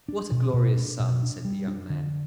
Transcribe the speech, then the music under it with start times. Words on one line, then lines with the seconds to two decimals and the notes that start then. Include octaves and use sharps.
"What a glorious sun," said the young man.
0.08 D4
0.31 B2
0.53 B2
0.77 D4
0.99 B2
1.23 D4
1.45 G3
1.68 D4
1.90 D3